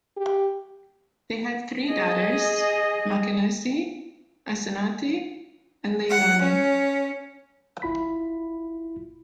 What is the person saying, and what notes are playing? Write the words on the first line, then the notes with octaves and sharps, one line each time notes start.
They have three daughters - Makenesi, Asinate and Leilani.
G4
G#4 D#5
F#5
C#4
G1 E4 F4 B5 B6